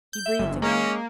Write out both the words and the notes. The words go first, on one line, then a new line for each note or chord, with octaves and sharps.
He breathed again.
G6
E5
G1
G#3 A#3 C#4